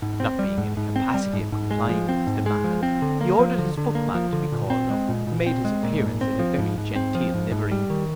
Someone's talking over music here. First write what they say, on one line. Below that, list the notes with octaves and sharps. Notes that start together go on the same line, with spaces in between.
Not being in a capacity of complying with his demand, he ordered his footman to be called up, who made his appearance in a very genteel livery.
G#2
C4
G3
G#2
G#2
C4
G3
G#2
G#2
G#3
F3
C4
G#2
G#3
F3
C4
D3
A#3
F3
D3
D3
A#3
F3
D3
A#2
C4
G#3
A#2
A#2
C4
G#3
A#2
G#2
C4
F3
G#2
G#2
C4
F3
G#2
G#2
G3
D#3